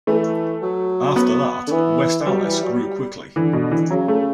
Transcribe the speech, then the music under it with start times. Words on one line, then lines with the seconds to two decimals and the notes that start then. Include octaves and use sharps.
After that, West Allis grew quickly.
0.07 E3 A3
0.62 F#3
1.16 B3
1.67 D3
1.72 E3
2.26 F#3 G3
2.44 E3
2.63 F#3
3.36 D3 E3
3.53 B2
3.71 E3
3.90 C#3 F#3
4.08 A3